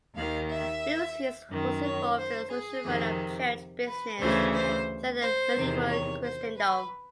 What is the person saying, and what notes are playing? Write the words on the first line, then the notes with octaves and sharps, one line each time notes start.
Lucius was involved in the usual running of church business throughout medieval Christendom.
D#2 D#3 F5
E5
F#2 D#3
C#5
C5
G#4
F2 C3 D#3
B4
D2 C#3 E3 C5
C5
C5
E2 C3 D#3
C#5
C5
B4